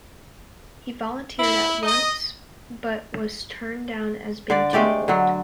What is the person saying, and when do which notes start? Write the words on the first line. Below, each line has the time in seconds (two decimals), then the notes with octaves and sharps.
He volunteered at once but was turned down as being too old.
1.39 E4
1.83 D#5
4.50 D3 D5
4.73 G#3 A3 G4 D5
5.08 D3 F#3